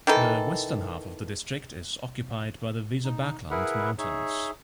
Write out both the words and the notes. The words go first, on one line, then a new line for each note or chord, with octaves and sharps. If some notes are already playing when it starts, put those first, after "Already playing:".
The western half of the district is occupied by the Weserbergland mountains.
D#3 E3 A4
D#4
E4 G#4 A#4 B4 E5 F#5
D#4 G#4 C#5 E5